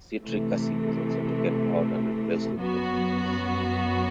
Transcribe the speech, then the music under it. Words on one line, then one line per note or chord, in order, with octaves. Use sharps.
Citric acid was also taken out and replaced with lemon juice.
C3 E3 A3
F#2 F#3 B3 F#4